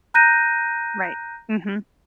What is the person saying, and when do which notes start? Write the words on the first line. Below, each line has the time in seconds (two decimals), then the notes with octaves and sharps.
Right, mhm.
0.14 A#5 F#6 G6 A#6 D#7